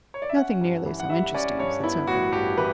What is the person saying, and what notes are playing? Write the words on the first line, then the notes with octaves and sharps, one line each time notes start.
"Nothing nearly so interesting," said Sophy.
C#5
D5
E5
C#4 F#5
G2
E3
F#5
G3 E5
C#4 D5
G2 C#5
B3 E4
A1 F#4
G2 G4
E3 B4